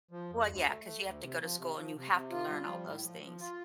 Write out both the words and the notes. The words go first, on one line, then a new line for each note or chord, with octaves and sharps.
Well, yeah, 'cause you have to go to school, and you have to learn all those things.
F3
F2
D2
A3
A3
D2
C3
F3
C3
F3
C3
C3
F4
G3
F3
A2
F3
F3
F4